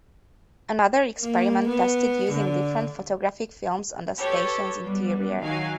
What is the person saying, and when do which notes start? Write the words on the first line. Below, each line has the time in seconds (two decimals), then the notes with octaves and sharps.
Another experiment tested using different photographic films on the station's interior.
1.20 A#3
1.68 B3
2.31 D3
4.18 G4 A4 B4 C#5
4.85 G3 B3
5.41 D#3 F#3 F5 G#5